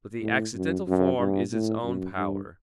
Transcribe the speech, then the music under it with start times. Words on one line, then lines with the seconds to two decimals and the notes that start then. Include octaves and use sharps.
But the accidental form is its own power.
0.22 A2
0.55 F#2
0.87 F#2
1.19 G2
1.52 A2
1.84 F#2
2.16 G2